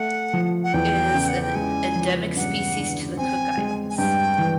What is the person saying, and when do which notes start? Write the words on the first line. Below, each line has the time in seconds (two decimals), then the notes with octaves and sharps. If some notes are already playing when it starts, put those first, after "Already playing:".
It is an endemic species to the Cook Islands.
Already playing: A3 F#5
0.33 F3
0.64 F#5
0.73 E2 G5
1.14 C#3
1.28 F#5
1.42 G5
1.55 G#3 G#5
1.96 F3
2.36 G2 F#5
2.76 D3
3.17 C4 G#5
3.57 G#3
3.90 G#5
3.98 G2 G5
4.38 E3